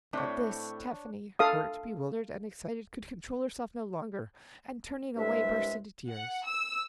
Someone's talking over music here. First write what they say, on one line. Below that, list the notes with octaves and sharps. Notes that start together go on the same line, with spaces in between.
At this Tephany, hurt, bewildered and excited, could control herself no longer, and turning away burst into tears.
A2 A3 C4 D4 C#5
A4 F5 D#6
C2 G2 G#3 E5
F#5
E6